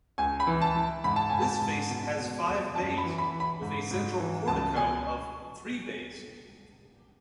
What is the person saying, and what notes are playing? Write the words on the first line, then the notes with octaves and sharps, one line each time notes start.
This face has five bays, with a central portico of three bays.
C#2 G#5
B5
E3
A5
E3
G#2 B5
A5
G#2 G#5
A5
G#2
B2
B2
E2
F#2 A5
B5
E3
B5
E3
B5
G#2
G#2
E3
C#2 A5
B2 G#5